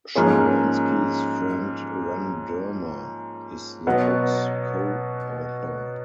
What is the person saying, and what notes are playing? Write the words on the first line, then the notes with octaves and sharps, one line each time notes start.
Sharansky's friend Ron Dermer is the book's co-author.
G#2 F3 A#3 C#4 G#4
B2 F#3 B3